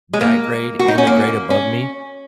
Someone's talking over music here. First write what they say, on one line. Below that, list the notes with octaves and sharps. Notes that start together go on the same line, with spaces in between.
that grade and the grade above me,
G#3
A#3
F#4
D#4
C#4
A#3
C#4